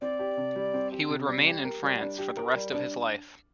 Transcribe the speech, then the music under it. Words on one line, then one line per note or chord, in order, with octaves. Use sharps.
He would remain in France for the rest of his life.
C4 D5
G4
C3
G3
C4
G4
C3
G3
G4
A#4
G3
D4
G4
A#4
G3
D4